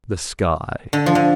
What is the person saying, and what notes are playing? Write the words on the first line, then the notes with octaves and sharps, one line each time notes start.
The sky.
D3
F3
D3